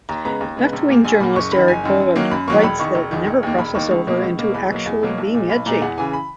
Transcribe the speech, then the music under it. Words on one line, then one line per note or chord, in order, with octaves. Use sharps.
Left-wing journalist Eric Boehlert writes that it never crosses over into actually being edgy.
D#2 A#5
C#3 G#3 B3 A#5
D#2
C#3 G#3 B3
A#1
A#2 A#3
A#1 G#5
A#2 A#3 B5
F#1 C#6
F#2 D#3 B5
F#1 G#5
F#2 D#3
F#2
D#3 F#3 A#3
F#2 B5
D#3 F#3 A#3 C#6
E1 B5
E2 D#3 C#6
E1
E2 D#3
E1
D#2 D#3 A#3
E1 B5
D#2 D#3 A#3 C#6
C#2
B2 A#3
C#2
B2 A#3
E2 B5
B2 F#3 A#3
E2
B2 F#3 A#3
B1
A#2 G#3
B1 B5
A#2 G#3 A#5
E2 F#5
C#3 E3 G#5
B5